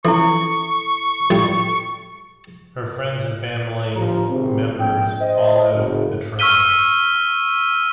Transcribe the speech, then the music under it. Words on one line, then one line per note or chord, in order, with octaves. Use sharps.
Her friends and family members followed the trend.
E3 E4 A4 C#6
A1 G2 G3
G1 F3 G4 A#5
G#1 C3 C4
A#1 G5
C5 D#5
F#1
C#6 E6 F6 B6 D#7 G7